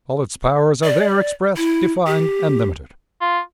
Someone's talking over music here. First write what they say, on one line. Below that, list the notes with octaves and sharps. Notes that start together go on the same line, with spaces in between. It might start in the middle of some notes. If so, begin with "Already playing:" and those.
All its powers are there expressed, defined, and limited.
D5
E4
G4
F4